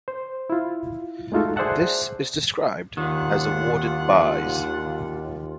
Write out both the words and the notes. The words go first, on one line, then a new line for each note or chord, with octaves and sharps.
This is described as "awarded byes".
C5
E4 F4
G#3 A3 D#4 F4 F#4 A4
G#4 C5 D5 E5 F#5 A5
D#2 D#3 G3 D4 F4 F#5